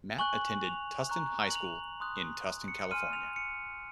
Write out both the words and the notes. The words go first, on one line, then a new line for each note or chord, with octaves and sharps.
Matt attended Tustin High School in Tustin, California.
G#5 C#6 F#6 F#7
F7
A#5 C#6 F#6
F#7
F7
C6 D#6 F#6
C#7
G#5 C6 F6 D#7
F7
C#7